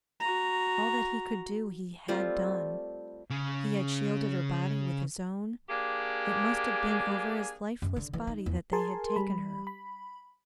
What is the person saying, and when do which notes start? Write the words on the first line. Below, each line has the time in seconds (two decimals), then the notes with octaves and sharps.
All that he could do he had done, he had shielded her body with his own, it must have been over his lifeless body that they had taken her.
0.20 F#4 A#5
2.08 G3 A3 C4 F4
3.30 C#3 C#4
5.69 A#3 D4 G4 G#4
7.82 F#2
7.96 D3
8.13 E3
8.27 D#4
8.46 E2
8.73 G#4 A#4 G#5 A5 C6
9.16 G3 B5
9.67 B5